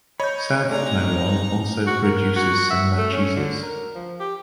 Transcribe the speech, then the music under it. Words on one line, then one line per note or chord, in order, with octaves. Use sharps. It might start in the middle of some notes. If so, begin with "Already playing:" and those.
South Tyrol also produces similar cheeses.
C#5 D#5 B5 G6
A3 C4 D4 D#4 G4 A#5
F#4
A#4
F#4
E5
A3
C#4
D3
A#4
F3
G4